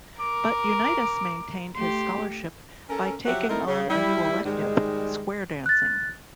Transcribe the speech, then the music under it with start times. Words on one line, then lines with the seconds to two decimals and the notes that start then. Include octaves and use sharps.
But Unitas maintained his scholarship by taking on a new elective: square dancing.
0.20 A#4 D6
1.75 A3 G4 C6
2.90 C#4 A4 A#4
3.26 F3 F#3 G4 E5 F#5
3.49 A3 C4 D#4 E4 A4 A#4
3.67 C#3
3.89 G3 E4
4.45 G#2 D#3 G3 G#3
5.66 F#6 A6